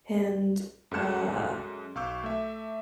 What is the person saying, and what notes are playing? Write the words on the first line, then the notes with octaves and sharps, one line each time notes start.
and, uh
F#2 G#3 A4 C6 C#7 E7
B1 F5 C#6 D6 E6 G6
A3 E5